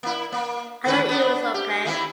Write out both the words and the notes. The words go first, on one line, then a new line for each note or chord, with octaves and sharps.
I thought it was okay.
A#3 E4
A#3
G#2 D3 B4
B3 D4
G4
D#3 A#3 E4